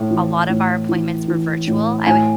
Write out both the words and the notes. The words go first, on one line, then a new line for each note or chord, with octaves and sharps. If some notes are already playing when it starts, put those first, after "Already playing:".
a lot of our appointments were virtual, I would
Already playing: A2
E3
A2
E3
E3
A2
A2 G#5